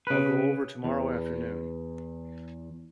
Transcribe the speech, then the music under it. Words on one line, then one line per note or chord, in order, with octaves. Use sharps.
I'll go over tomorrow afternoon.
C#3 B4
E2